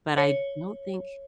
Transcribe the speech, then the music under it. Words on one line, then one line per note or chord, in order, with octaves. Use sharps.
but I don't think
C#5